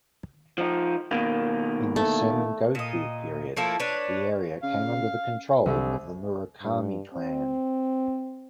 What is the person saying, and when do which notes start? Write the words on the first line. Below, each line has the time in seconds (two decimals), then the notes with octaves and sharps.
In the Sengoku period, the area came under the control of the Murakami clan.
0.58 F3 D#4
1.11 B2 D#3 A#3
1.96 A3
2.75 A#2 D#5
3.57 F3 A3 A#3 E4
3.80 D4 B4 C#5
4.63 C#3 F5
5.66 C2
6.62 G2
7.14 C4